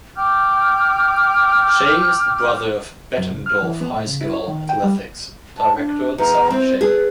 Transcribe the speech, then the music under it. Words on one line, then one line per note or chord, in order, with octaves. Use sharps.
Shay is the brother of Bettendorf High School athletics director Zach Shay.
G5 D6 F6 G6
F#2
C#2
F6
E3
B3
A2
C#3
E4
C#5
D#3
G5
G3
A5
D4
E2 A#5
C4 C5
G#4 B4